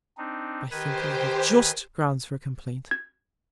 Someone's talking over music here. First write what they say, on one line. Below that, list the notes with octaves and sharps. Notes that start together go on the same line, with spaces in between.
I think I have just Grounds for Complaint.
C4 D4 D#4
D#3 G4 B4 C5 G#5
G#6